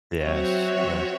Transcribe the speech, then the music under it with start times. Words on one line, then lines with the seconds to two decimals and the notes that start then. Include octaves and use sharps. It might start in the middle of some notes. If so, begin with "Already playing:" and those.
Yes. Yes.
0.21 F#3 C4 F#4 C#5 E5